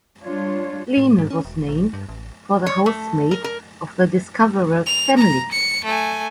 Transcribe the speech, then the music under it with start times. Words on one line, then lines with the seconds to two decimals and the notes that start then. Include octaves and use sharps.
"Lina" was named for the housemaid of the discoverer's family.
0.22 G3 D4 F4 C#5
0.97 A2
1.18 G#2
1.30 C#4
1.45 E1
1.68 A#1
1.93 G2
2.09 A1
2.66 C#5
2.86 A3
3.31 A#4
3.44 A#4
4.87 F7
5.18 A#5
5.52 C#7
5.85 A3 G#5